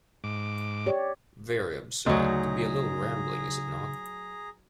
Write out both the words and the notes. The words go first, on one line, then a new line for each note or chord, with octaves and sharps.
Very absurd, to be a little rambling, is it not?
G#2 D6
G4 C#5 D5
D2 C#3 F#3 D#4 G#4 A#5